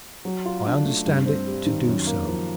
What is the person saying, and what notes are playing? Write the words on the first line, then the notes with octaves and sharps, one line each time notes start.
"I understand it to do so."
F#3
F4
D4
A3
G2
C4
G3
D#3
F#2
A#3
F3